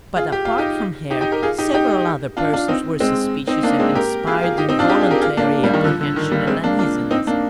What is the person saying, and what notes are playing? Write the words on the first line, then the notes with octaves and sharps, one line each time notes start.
But apart from her, several other persons were suspicious and inspired involuntary apprehension and uneasiness.
F4 G#4
G4
F4
D#4 G4
D#4 G4
D#4 G4
G4 A#4
F4 G#4
D#4 G4
D#4 G4
D4 F4
D4 F4
C4 D#4
G#3 C4
C4 D#4
A#3 D4
G#3 C4
G4 A#4
F4 G#4
F4 G#4
D#4 G4
C4 D#4
D4 F4
D#4 G4
F4 G#4
G4 A#4
F4 G#4
A#3 D4
G3 A#3
D#3 G3
D3 F3
D3
D#3
G3 A#3
G#3 C4
A#3 D4
D4 F4
C4 D#4
A#3 D4